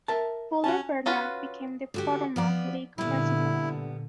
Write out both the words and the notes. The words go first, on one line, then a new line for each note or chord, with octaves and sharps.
Fuller Bernard became the Potomac League president.
A#4 E5 A5
C#4 F#4 A5
C#4 F4 F#4 B4
D3 F#4 G4
F3 B3 D5
A#2 D3 G3 B3 E4